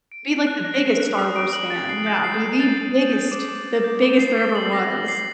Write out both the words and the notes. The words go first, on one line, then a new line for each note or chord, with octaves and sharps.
Be, like, the biggest Star Wars fan. Yeah, be the biggest the biggest there ever was.
D7
D7
F#6
A#6
C7
F#6
D#6
D7
F#7
A6
C7
G6
C7
G6
A6
C7
F#7
G6
D6
D6
G6
G6
G7
C7
A6
F#7
A#6
A#6
C7